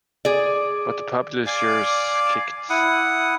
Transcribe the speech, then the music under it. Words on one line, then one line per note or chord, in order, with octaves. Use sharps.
But the publishers kicked.
G#4 D5
D5 F5 G#5 D6
E4 F#5 D#6